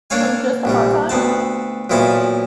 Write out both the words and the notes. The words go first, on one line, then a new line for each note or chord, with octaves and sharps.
From just a part-time? uh
A#3 D4 A4 C#5 F5 G#5
A#1 C3 G3
D2 B3 C4 A5
B1 A#2 F3 E4 A4 A5